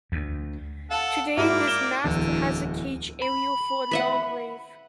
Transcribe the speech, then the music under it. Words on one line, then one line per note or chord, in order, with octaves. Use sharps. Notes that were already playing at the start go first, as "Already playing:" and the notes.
Today this mast has a cage aerial for long wave.
D2
A4 F5 F#5 A5
G#2 A#3 E4 F#4 D5
E7 G7
D1 E2 D3
B5
B4 E5 F#5